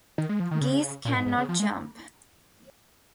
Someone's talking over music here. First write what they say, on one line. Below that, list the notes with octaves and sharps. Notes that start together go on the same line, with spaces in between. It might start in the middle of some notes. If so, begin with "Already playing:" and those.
Geese can not jump.
D#3
G#3
F3
D#3
C#3
A#2
G#2
G#2
C#3
F3
G#3